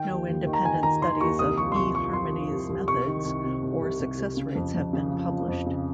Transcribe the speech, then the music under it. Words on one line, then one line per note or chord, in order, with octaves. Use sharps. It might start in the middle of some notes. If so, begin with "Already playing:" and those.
No independent studies of eHarmony's methods or success rates have been published.
Already playing: D#3 G5
D#2
D#2
D#3
A#5
D#3 G#5
D#3 A#5
D#3 C6
D#2 C#6
C2 D#6
F3 C#6
C6
C2 C#6
F3 C#6
C2 C6
F3
C2
C2
C2 C#6
D#3
C2
C3
C2
C2
C2
C2
C#3
F2
F2
C#3
F3
F3
F2
C#3